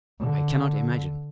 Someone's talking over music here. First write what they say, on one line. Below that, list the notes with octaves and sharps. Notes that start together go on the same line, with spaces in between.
I cannot imagine.
D3